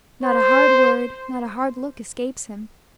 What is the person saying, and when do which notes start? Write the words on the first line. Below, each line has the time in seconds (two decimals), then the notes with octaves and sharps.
Not a hard word, not a hard look, escapes him.
0.24 C5